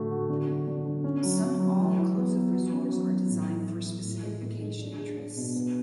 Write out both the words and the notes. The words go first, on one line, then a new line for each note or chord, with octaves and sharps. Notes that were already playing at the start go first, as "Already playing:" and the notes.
Some all-inclusive resorts are designed for specific vacation interests.
Already playing: A2 D3 A3 F#4
F#4
D3
D3
D3
D3
C#4
F#3
F#3
F#3
E3
E4
B3
B3
F#4
C#4
F#3
F#3
A2
E4
E4
E4
A2
G#3
A2
G#3
D4
G#4
D4
B2
B3